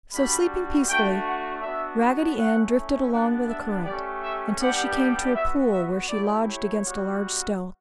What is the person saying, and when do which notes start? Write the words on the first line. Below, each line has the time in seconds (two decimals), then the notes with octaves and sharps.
So, sleeping peacefully, Raggedy Ann drifted along with the current until she came to a pool where she lodged against a large stone.
0.13 G3 D4 F#4 B5
0.88 A3 D4 F#4 G5
1.25 F#5
1.62 B3 D4 F#4 E5
2.36 A3 C#4 E4 F#5
3.11 B3 D4 G4 F#5
3.48 E5
3.85 A3 C#4 G4 D5
4.23 E5
4.60 G3 B3 D4 G4 F#5
5.34 B3 F#4 E5
5.71 E5
6.08 A3 E4 G4 D5
6.46 C#5
6.83 G3 B3 F#4